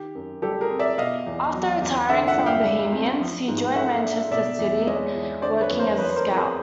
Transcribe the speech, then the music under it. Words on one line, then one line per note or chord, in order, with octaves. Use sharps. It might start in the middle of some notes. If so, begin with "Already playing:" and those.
After retiring from Bohemians he joined Manchester City, working as a scout.
Already playing: D#3 G4
F#2
G3 G4 A4
G#4 A#4
C4
D5 E5
B2 D#5 F5
E2
F#3
E2
D3 E5 F#5
E5 F#5
G2
F5 G5
G3
C4
F3
G#2
A3 E5 F#5
D4
B2 D5 E5
E2
G#3 C#5 D#5
E2
D3 C5 D5
B4 C#5
F2
A#4 C5
F3 B4 C#5
A#4 C5
F2
G#4 A#4